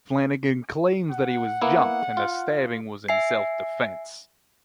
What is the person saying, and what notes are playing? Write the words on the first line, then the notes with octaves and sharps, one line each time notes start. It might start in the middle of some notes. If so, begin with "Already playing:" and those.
Flanagan claims that he was jumped, and the stabbing was in self-defense.
F#5
A#3 B3 E4
F4
E5 G#5 C7